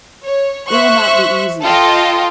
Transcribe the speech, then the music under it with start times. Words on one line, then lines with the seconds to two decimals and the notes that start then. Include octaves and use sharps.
It will not be easy.
0.24 C#5
0.69 C5 E5 C#6 F#6
1.62 F4 A4 D#5 G5